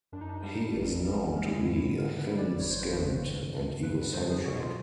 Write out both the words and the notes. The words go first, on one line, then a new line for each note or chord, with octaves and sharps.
He is known to be thin-skinned and egocentric.
F#2 D4
D#4
D4
G3
A1
G3
G#3 C#4
E4
G#2
D3 A#4
B4
G3
D5
G#1 C#5
C5
B4
D#3 C5
G2
G2
G2 B4
B4
F#3 C5
G#4
B2 F#4
F4